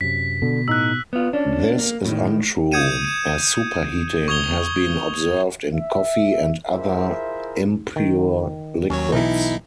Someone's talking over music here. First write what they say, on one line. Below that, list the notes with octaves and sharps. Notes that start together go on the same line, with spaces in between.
This is untrue, as superheating has been observed in coffee and other impure liquids.
F#2 C3 B6
B2 D3
A2 B3 D#4 E6 F#6
B3 F4
C#4 D4
A#3
A2 D#3
D#6 G6 G#6 C#7 D#7 E7
D#7 E7
C#6 D#6 G#6 F7 G7
E5
E4 F4 G#4 A#4 C5 E5
D#3
D#2 F#3 C#4 C#5
B1 E3 D#4 E4